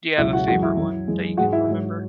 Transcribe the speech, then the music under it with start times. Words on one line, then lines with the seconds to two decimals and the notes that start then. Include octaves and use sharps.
Do you have a favorite one that you can remember?
0.18 C#2 B2 F#3 E4 E5
0.33 F#4 F#5
0.47 F#2 E3 G#3 F#4 F#5
0.63 E4 E5
0.77 F#2 F#3
1.08 F#2 E3 G#3
1.37 G#3 F#4 F#5
1.41 G#2
1.53 E4 E5
1.68 G#2 F#3